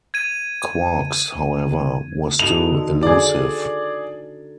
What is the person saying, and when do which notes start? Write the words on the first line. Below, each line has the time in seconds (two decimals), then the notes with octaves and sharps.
Quarks, however, were still elusive.
0.14 G#6 D#7
2.39 A3 D#4 F#4 F7
2.71 D3
3.03 G#4 D5